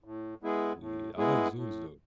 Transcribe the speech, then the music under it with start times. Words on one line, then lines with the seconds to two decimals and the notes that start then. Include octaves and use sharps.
Yeah. I like zoos, though.
0.04 A2
0.43 G#3 B3 E4 G#4
0.79 A2
1.17 G#3 B3 E4 G#4
1.55 A2